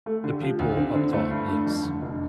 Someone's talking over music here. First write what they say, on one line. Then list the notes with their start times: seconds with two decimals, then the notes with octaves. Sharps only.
The people up top, yes.
0.06 A3 A4
0.24 D3
0.29 G4
0.41 F3 G4
0.53 F4
0.59 D2
0.77 C4 D4
0.94 D3 D4
1.13 A3 E4
1.30 G2 E4
1.48 A3 D4
1.66 F2
1.83 D3
2.02 F1